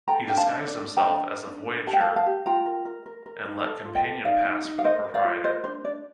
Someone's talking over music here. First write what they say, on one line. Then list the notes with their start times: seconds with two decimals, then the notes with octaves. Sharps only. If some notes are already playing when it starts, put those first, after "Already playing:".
He disguised himself as a voyageur and let Campion pass for the proprietor.
0.08 A4 G5 A#5
0.27 D4 G5
0.37 F5 A5
0.47 D4
0.67 D4 D5
0.87 D4
0.97 G5 A#5
1.07 D4
1.27 A#4
1.47 D4
1.67 D4
1.86 G4 A5
1.93 G5
2.01 F5 A5
2.07 A#4
2.16 F5 A5
2.26 G4
2.46 F4 G5 A#5
2.66 A#4
2.85 A#4
3.06 A#4
3.26 A#4
3.45 D#4
3.65 A4
3.85 F4
3.95 D#5 G5
4.05 A4
4.25 D#4 D5 F5
4.45 D#4
4.65 D#4
4.79 F5
4.84 A#4 C5 D#5
5.04 A#4
5.14 D5 F5
5.24 F4
5.44 A#4 C5 D#5
5.64 D4 C5
5.84 D4 D5